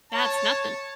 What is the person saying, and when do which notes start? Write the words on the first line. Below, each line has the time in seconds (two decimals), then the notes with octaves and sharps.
That's nothing.
0.12 C#5 A5